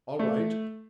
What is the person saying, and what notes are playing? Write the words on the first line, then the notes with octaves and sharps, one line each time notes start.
'All right.
A3